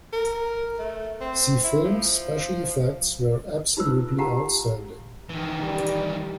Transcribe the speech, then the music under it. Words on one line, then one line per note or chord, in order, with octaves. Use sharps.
The film's special effects were absolutely outstanding.
A#4
A3
C4
E4
F3
D#4 F4 B4 C5 E6
G4 F5 F#5 A5 A#5
D#3 E3
G3